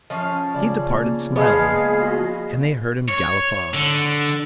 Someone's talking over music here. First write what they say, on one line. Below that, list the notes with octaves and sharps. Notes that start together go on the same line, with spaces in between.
He departed smiling, and they heard him gallop off.
F3 C#4 F5
C#3 D5 B5
A#3
F3 G#3 B3 G#4 F5
F#4 D#5 B5
C#5
D3